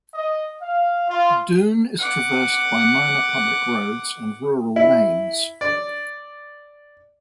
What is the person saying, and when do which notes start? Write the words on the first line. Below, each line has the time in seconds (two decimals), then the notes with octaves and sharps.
Doon is traversed by minor public roads and rural lanes.
0.14 D#5
0.61 F5
1.09 F4
1.99 F#5 D6
4.76 E4
5.61 D5